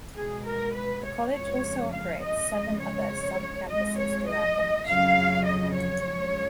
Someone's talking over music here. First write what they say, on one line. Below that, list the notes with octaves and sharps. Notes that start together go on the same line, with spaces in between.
The college also operates seven other sub-campuses throughout the nation.
B2 G#3 G#4
A#4
B4
C#5
F2 C#3 F3 G#3 C#5
F5
D#5
F2 C#3 G#3
C#5
F2 F3 G#3 D#5
C#5
D#5
F2 C#3 F#3 F5
D#5
C#5
F#2 F3 G#3